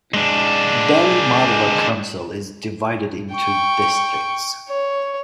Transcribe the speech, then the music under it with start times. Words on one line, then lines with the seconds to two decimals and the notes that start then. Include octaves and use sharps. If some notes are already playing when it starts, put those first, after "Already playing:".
Del-Mar-Va Council is divided into districts.
0.14 G#3 D4
3.33 G5 C#6
4.68 C#5